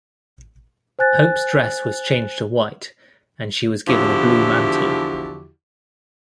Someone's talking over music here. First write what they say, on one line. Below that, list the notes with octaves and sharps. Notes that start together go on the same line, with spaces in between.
Hope's dress was changed to white, and she was given a blue mantle.
C5 G#5 F#6 A6
E2 D3 F3 E4 F#4 G4